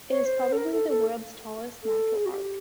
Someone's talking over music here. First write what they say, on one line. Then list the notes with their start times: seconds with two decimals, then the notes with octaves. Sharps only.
It is probably the world's tallest natural arch.
0.10 C#5
0.25 C5
0.52 A4
0.57 A#4
0.73 A4
0.89 A4
1.83 A4
2.15 G#4
2.25 F#4
2.31 G4